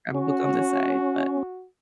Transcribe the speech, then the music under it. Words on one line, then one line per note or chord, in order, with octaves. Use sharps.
have a book on the side." But
C#4 F#4